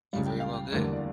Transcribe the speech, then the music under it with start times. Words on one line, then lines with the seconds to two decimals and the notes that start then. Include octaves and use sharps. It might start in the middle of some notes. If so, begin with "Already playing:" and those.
You very well could.
0.13 C#2 C#3 G3 F5
0.26 G5
0.40 F5
0.72 F1 E2 D3 G3 A#3
0.93 D5